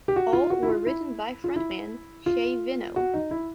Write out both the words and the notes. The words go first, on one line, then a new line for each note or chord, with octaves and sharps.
All were written by frontman Shay Veno.
G4
F#4
F4
F#4
E4
F4
E4
F4
E4
F4
F#4
D#4
E4